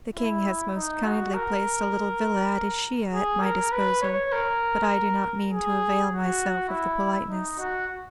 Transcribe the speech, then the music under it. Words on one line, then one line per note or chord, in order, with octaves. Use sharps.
The King has most kindly placed a little villa at Ischia at my disposal; but I do not mean to avail myself of the politeness.
E4
D#4
F#4
A#4
G#4
A#4
B4
C#5
A#4
G#4
F#4
E4
D#4
F#4